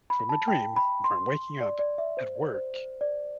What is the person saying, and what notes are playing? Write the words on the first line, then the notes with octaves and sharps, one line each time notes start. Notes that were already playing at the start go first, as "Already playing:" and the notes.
from a dream where I'm waking up at work,
B5
A5
G5
B5
C6
D5
D5
E5
C5
D5
C5
C5
D5